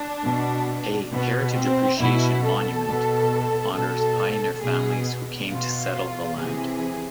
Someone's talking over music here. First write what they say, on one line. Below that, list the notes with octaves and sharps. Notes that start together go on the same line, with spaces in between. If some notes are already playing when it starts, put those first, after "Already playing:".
A "Heritage Appreciation Monument" honors pioneer families who came to settle the land.
Already playing: D4
B2
B2 B3
C4
B2 E4
A4
B2
B2 A4
B2 G#4
B2 F4
C3 E3 G#4